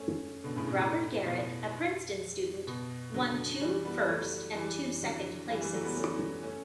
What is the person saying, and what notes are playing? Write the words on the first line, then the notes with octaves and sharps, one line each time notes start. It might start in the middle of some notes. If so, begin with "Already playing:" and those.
Robert Garrett, a Princeton student, won two first and two second places.
Already playing: A3 C#4
B2 D3
A2 C#3
B2
A2
B2
B2
D3 F#3
E3 G3
G3 B3
G3
F#3 A3
E3 G3
D3 F#3
E3 G3
E3 G3
F#3 A3
G3 B3
A3 C#4
A3 C#4